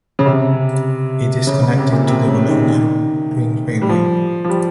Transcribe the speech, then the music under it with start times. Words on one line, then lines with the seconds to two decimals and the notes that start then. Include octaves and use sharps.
It is connected to the Bologna ring railway.
0.19 C#3
0.26 C3
1.47 C#3
1.62 C#3
1.78 C3
1.92 A#2
2.08 C3
2.28 C#3
2.48 D#3
3.82 G3
3.89 F3
4.44 F3
4.50 G3